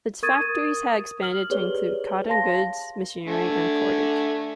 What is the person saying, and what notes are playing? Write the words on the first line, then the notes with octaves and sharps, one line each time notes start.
Its factories had expanded to include cotton goods, machinery, and cordage.
A#4 C#6 D#6 G#6 A6 D#7
F6 F#7
G4 G#4 B4 C#5 D5 G7
F5 A5 C6 A#6
D3 A3 G#5